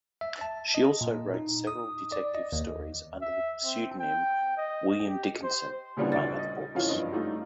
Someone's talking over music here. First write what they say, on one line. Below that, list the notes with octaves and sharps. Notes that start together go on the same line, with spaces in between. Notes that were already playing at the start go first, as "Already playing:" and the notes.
She also wrote several detective stories under the pseudonym "William Dickinson", among other books.
E5
A5
D#5
A#2
D#4
D#6
D5
D#5
D#2
E5
C4
G5
D#5
G4
C5
A#2 C#3 G3 B3 D4 E4
D2 A6
D#5
F1 E3 C#4 F4
F#1 G2 D#5
G3 A3 D#4 F4